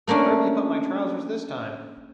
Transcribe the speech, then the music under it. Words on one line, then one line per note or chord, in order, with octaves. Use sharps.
Where've you put my trousers this time?
A3 A#3 C#4 D4